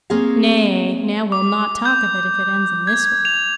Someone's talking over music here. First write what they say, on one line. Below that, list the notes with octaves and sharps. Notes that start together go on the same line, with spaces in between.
Nay, now we'll not talk of it, if it ends in this way.
A#3 C4 G#4 C#5 F5
D6
G6
G#6
F7